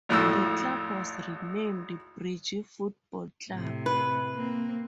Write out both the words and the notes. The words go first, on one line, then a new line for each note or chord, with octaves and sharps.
The club was renamed "Bridge Football Club".
G#1 F2 A2 E6
A2 C3
B4
A#3 C4